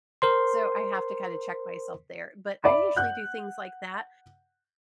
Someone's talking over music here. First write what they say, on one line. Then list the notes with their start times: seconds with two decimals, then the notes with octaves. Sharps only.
so I have to kinda check myself there. But I usually do things like that.
0.22 A#4 C5 C6
2.64 D5 E5 B5
2.96 F#5 F#6 G6